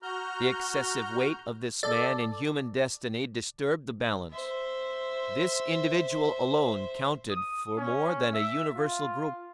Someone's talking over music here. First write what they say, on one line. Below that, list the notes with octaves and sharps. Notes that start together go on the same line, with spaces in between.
The excessive weight of this man in human destiny disturbed the balance. This individual alone counted for more than a universal group.
F#4 A#5 F6 G6
A4 D5
C5 E5
D#6
C#4
E5
F4